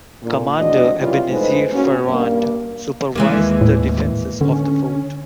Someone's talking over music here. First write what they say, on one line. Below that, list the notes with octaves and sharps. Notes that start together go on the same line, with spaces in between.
Commander Ebeneezer Farrand supervised the defenses of the fort.
A#2 D3
F2 A2 G#3 D4 F#4 D#5
C#3 E3 G3 C#4 F4
F2 A2 G#3 D#4 B4 C5
A#2 C#4 F#4
G2 A#3
D#2 E3 G#3 A#3
A2
D3 C#4